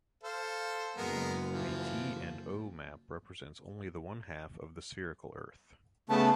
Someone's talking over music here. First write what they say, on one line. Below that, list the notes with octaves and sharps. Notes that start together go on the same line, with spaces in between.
The T and O map represents only the one half of the spherical Earth.
A4 C5 F5
F#1 G#3 B3 A#4
E3 F3
C#3 A3 B3 A5